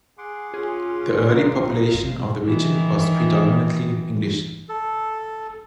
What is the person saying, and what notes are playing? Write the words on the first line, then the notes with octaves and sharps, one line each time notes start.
The early population of the region was predominantly English.
G#4 F#5 C6 D6
C#4 F4 G#4
D#4 F5 C7
D#3 E3
A4